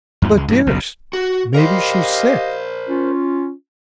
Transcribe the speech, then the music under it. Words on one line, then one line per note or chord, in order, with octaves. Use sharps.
"But, dearest, maybe she's sick."
E2 G#2 F3
C#2 G#3
G2 B2 E3
F#1 B1 F#2 C#3
F#4
G4 A#4 C5 D#5 F5
C#4 F4